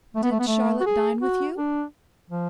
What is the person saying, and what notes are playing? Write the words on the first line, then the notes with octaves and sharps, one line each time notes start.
"Did Charlotte dine with you?"
A3
B3
A3
B3
A3
F#4
G#4
F#4
D4
F3